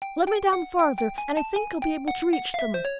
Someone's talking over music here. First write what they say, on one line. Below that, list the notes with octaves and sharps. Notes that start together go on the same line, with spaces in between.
"Let me down farther and I think I'll be able to reach them!"
G5
G5
F#5
G5
G5
G#5
A5
G#5
G5
F#5
F#5
F5
E5
C5
C#5